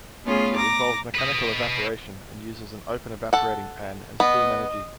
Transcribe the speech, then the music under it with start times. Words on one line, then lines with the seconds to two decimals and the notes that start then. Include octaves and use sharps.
It involves mechanical evaporation and uses an open evaporating pan and steam energy.
0.24 A3 B3 C#4 F4 G#4
0.55 A#5 D6 A#6
1.15 B4 D#5
3.33 A4 F#5
4.20 B3 D#5